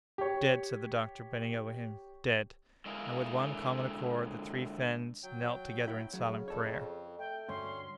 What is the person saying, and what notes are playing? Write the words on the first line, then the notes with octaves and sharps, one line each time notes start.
"Dead!" said the doctor, bending over him, "dead!" And with one common accord, the three friends knelt together in silent prayer.
G4 C#5
D3 G#3 E4 G#4 A#4 F5
F#3 G5
E4
C#3 F#3 G#3
F2 A4 C#5
A3 G5
D2 G2 C#4 C#5 C6